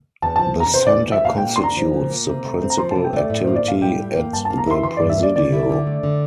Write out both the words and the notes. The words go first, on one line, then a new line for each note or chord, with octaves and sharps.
The center constitutes the principal activity at the Presidio.
E2 A5
F3 A5
E2 A#5
C3 C5
E2 D5
F3 E5
A#2 F5
A#3 G5
C6
D4 A#5
F3
A#2
A#3
C3
A3
C4
A#5
F3 C6
C3 A5
G5
A3 D5
A2 D5
A#3 C5
D5
A2 F5
G3 G5
A2
A#3
G2 A5
A#3 A5
A#5
E4 C6
E3 C6
G2 D5
E5
A#3 D5
D3 D5
E4
D3
A3
D3